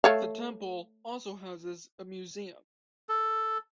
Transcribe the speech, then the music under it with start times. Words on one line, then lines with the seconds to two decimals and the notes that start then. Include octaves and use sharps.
The temple also houses a museum.
0.04 A3 C#5 F5
3.09 A4